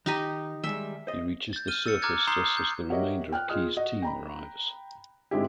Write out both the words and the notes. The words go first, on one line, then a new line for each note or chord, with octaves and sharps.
He reaches the surface just as the remainder of Keyes' team arrives.
D#3 D#4 G4 D#5 A#5
D#3 G3 G#3 E5
C5 D#5
G6 A6
F6 D#7 G7
E6 A6 C#7
A#5 D6 F6 F#6 G#6 A6
A#5 C6 D#6 G6 C7 G7
G6
F#4 G4 A#4 C#5 D#5 E5
G5 F6 F#6
F4 G#4 D#5 D#6 F6
F#4 D#5
G5 A#5 B5
G#2 D3 G#3 C4 E4 G4